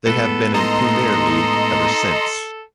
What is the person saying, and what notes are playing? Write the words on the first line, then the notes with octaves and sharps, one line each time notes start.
They have been in Premier League ever since.
A2 G#3 B3 A4 B4
D#4 A4 D#5 A#5 C6